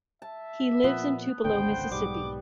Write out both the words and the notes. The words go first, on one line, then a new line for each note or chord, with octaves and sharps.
He lives in Tupelo, Mississippi.
E5 A5
A#2 F3 B3
G#1 C#2 D3 C5 G5
B1 G#2 G3 D6